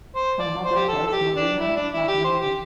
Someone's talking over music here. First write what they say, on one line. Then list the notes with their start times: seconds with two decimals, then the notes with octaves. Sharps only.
Her mother was Marina Magnani.
0.16 C5
0.39 D5
0.64 C5
0.76 G4
0.88 A4
1.07 A4
1.12 G4
1.37 D4
1.60 E4
1.76 D4
1.93 E4
2.08 G4
2.24 C5
2.41 G4